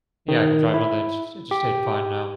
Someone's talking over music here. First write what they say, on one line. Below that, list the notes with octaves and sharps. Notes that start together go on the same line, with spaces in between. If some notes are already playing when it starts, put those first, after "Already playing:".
Yeah, I can drive on the insters interstate fine now.
D#3
E4
G4